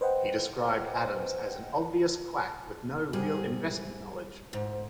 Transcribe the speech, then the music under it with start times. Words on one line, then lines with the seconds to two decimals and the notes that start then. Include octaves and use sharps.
He described Adams as an obvious quack with no real investment knowledge.
0.01 B4 C5 D#5 F#5 G5
3.13 G#2 G3 G#4
4.53 D2 G#2